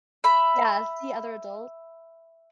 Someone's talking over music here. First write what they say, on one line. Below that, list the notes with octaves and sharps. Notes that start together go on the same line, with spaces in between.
yeah, see other adults.
E5 B5